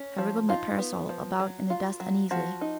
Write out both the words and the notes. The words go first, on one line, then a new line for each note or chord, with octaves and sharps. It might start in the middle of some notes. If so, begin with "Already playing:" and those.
I wriggled my parasol about in the dust uneasily.
Already playing: C#4
F3
D#4 F4
B3
F3
F#3
F4
F#3
F3 F#4
D#4